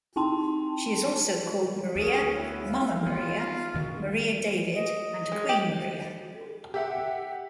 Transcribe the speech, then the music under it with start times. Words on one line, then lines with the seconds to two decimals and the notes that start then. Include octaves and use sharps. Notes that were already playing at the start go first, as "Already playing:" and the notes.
She is also called, Maria, Mama Maria, Maria David, and Queen Maria.
0.16 C4 D#4 E4 G5 A5 C6
1.96 D2 G#4 C#5
2.35 B3 E4 C#5
2.68 F5
3.06 G3 B3 F4
3.41 D#4
3.74 D2 D#3 F#4
4.75 D#5
5.32 G#3
5.49 G4
6.74 G4 E5 F#5